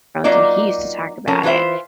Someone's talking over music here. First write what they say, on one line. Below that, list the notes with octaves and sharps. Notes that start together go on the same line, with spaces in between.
Thrones," and he used to talk about it.
F#3 A#3 D#4 F4 D5
F3 C#4 A4 A#4
E3 F4 B4 C5 E5